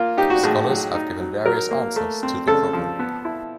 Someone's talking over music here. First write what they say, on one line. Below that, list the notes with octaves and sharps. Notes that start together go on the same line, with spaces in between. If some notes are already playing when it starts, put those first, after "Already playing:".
Scholars have given various answers to the problem.
Already playing: A#3 F4
D#4 G4
F#4
A2 G#4
F#3
D#4
F#3
F#3 A#4
A#3
A3
C4
C#3 A4
F3
B3
E4